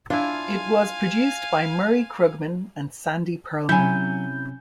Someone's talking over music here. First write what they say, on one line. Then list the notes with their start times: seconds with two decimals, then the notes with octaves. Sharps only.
It was produced by Murray Krugman and Sandy Pearlman.
0.10 D4 E4 F4 F5 G#5
3.69 C3 F#3 C4 C#4 E4 G#5 G6